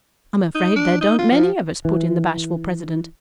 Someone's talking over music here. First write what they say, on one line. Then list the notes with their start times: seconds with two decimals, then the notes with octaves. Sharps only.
"I'm afraid there don't many of us," put in the bashful president.
0.55 D#4
0.76 D4
1.01 D#4
1.19 F4
1.32 F3
1.85 E3